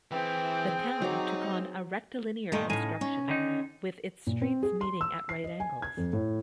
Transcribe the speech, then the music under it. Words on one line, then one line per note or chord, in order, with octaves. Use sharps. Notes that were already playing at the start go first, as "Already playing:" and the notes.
The town took on a rectlinear construction, with its streets meeting at right angles.
E3 C4 G#4 B4 G5
F#3 D#4 D6
G2 A#2 D#3 A3 D#5
A2 C#3 D#4 G#5
C#4
D3 D#3 D#4
A#2
C4
G#4
C6
E6
C7
D#5
G#5
G#6
F2
A2